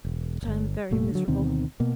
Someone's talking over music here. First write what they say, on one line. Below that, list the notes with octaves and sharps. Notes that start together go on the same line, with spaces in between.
But I am very miserable!
E1
D1 G1
F1 A#2 A3
D3 F#3
D2 B2 D#3 C4
B2 A#3